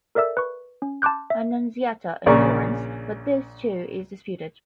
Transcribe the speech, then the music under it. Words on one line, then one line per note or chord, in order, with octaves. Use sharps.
Annunziata in Florence, but this too is disputed.
A4 A#4 D5 E5 E6
B4 C#6
C#4
A5 C6 D6 F#6 G6
E5
A#1 C#3 A#3 D5 C#6